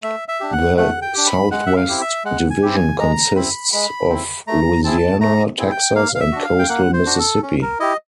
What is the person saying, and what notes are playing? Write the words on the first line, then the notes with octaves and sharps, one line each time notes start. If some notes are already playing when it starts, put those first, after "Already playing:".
The Southwest Division consists of Louisiana, Texas, and coastal Mississippi.
A3 E5
E5
D4 G4
F#5
A3 F#5
G5
D4 G4
B5
G#3 F#5
E5
F5
C4 E4 G4
E5
G#3 F#5
G#5
C4 E4 G4
G#5
G#3 A#5
C4 E4 B5
G#3 B5
C4 E4
A3 A#5
C4 E4 G#4 A5
A3 A#5
C4 E4 G#4
G5
A#3 F5
F5
E5
D4 F#4
F5
G5
A#3 F#5
C5
D4 F#4
A4
C#4
A#4
E4 G4 D#5